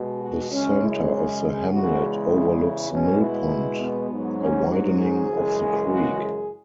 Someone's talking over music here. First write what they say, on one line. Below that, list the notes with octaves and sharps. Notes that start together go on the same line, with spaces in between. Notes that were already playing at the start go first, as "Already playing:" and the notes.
The center of the hamlet overlooks Mill Pond, a widening of the creek.
Already playing: B2 G#3
F#4
F#2 C#3 G#3 C#4
E4
C#4
E2 C#3 G#3 F#4
E4
E4
B2 G#3 C#4
E4
B3
G#2 F#3
C#4
F#4
G#4
F#2 C#3 E3 G#3
F#4
G#4